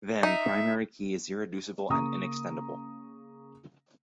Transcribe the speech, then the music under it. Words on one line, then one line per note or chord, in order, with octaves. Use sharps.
Then, primary key is irreducible and inextendable.
D#4 E5
C#3 A#3 A#5 C#6 D#6